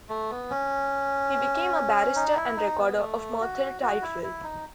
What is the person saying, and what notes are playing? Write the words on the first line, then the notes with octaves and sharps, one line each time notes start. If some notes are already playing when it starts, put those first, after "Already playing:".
He became a barrister and Recorder of Merthyr Tydfil.
A3
B3
C#4
D#4
E4
D#4
B3
A3
F#4
F#4
E4
E4
D#4